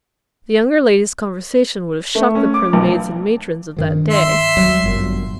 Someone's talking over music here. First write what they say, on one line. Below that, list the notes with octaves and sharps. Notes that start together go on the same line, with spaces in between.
The younger lady's conversation would have shocked the prim maids and matrons of that day.
A3
C#4
D6
B1
G2 D#3 F3
E5 C6
D#2 F#3 G3
G1 F#2 A#2